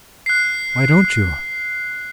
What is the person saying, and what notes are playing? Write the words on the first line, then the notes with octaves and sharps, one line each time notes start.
"Why don't you?"
F#6 C7